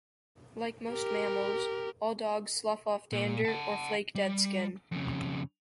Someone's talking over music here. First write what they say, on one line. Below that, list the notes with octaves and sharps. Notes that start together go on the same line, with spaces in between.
Like most mammals, all dogs slough off dander, or flake dead skin.
G4 A#4
A#2
F#5 A5
G3
F2 C#3